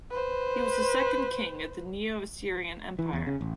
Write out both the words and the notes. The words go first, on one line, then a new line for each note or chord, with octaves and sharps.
He was the second king of the Neo Assyrian Empire.
B4 C5
E3
E2
C#3
A1